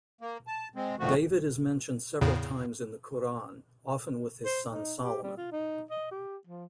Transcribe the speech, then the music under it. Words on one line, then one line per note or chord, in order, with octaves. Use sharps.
David is mentioned several times in the Quran, often with his son Solomon.
A#3
A5
G#3 C4
G2 A#2 D#3 F3 A3 F#4
E2 A2 C#3
C5
D#4
G4
G3
F4
D#4
D#5
G4
F3